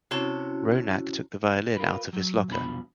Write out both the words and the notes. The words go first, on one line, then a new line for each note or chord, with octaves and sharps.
Ronak took the violin out of his locker.
C3 C#4 E4 F#4 C#5 A5
F4 A#4 B4
F#3
C2 F2 B2 D4 F4 B5